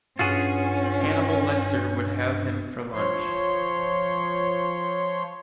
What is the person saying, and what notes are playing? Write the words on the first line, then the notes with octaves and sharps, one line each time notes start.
Hannibal Lecter would have him for lunch.
G2 C#4 F4 F#4 G#4
F3 C#5 C6